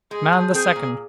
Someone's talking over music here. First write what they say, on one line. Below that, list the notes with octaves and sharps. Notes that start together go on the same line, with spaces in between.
Man the second.
G#3 G#4
F3
C4 G#4
A#2